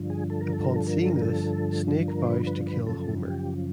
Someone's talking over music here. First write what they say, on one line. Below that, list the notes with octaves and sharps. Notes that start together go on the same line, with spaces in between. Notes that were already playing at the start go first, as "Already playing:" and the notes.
Upon seeing this, Snake vows to kill Homer.
Already playing: G2 D3 F3
G#4
A4
A#4
A4
A#4
A4
A#4
A4
A#4
A4
A#4
C5
B4
B4
B4
F#2 C#3 F3 A4
G4